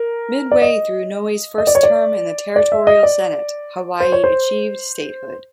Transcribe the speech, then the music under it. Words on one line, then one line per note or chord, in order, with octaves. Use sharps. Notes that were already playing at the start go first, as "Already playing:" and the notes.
Midway through Inouye's first term in the territorial senate, Hawaii achieved statehood.
Already playing: A#4
D5
D#5
D#5
D5
C#5
D5
D5
E5
D#5
D5
C5
C#5
C5